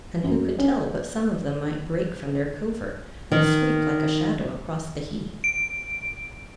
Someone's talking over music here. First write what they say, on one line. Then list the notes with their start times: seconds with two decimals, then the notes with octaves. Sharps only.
And who could tell but some of them might break from their covert and sweep like a shadow across the heath?
0.24 F#2
0.59 C#4
3.32 D#3
5.44 D7